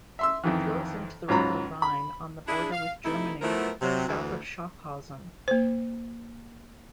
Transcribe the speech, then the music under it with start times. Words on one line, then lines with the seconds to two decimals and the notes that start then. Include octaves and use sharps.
It flows into the river Rhine on the border with Germany, south of Schaffhausen.
0.19 E5 C6 E6
0.44 F2 D#3 E3
1.28 C#2 G#2 F#3 F4 A#5 B5
1.82 B5
2.47 D4 E4 G#4
2.72 F5
3.04 C3 A3 D#4 E4
3.42 F3 F#3 A3 B3 E4 A#4
3.82 C3 F#3
4.07 D2 E3
5.48 A#3 C5